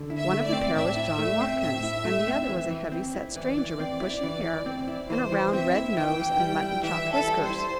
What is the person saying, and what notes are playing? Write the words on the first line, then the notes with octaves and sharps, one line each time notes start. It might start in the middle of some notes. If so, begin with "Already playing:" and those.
One of the pair was John Watkins, and the other was a heavy-set stranger, with bushy hair and a round, red nose and mutton-chop whiskers.
Already playing: D3
E4
E5
A3
D5
C4
A2 E5
E4
A3
C4
A2 E5
E4
A3
C4
E3
E3
C4
E4
E3 D5
E3
C4
E4
E3
E3
C4
E4
E3 C5
E3
C4 E5
E4
E3 G5
E3
G3
E4
E3 E5
E3
A4
G3
C5
E4